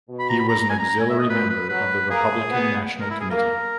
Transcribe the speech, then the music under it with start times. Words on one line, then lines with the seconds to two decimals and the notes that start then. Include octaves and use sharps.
He was an auxiliary member of the Republican National Committee.
0.09 B2
0.20 B5
0.30 A#5
0.39 B5
0.49 A#5
0.59 A#5
0.70 G#5
0.80 A#5
0.90 A#5
1.00 G#5
1.10 E5
1.20 D#5
1.29 A#2 B4
1.50 B4
1.69 F#3 B4
2.10 A#3 G#4
2.51 B3
3.01 A#4
3.10 E4
3.20 G#4
3.31 A#3 A#4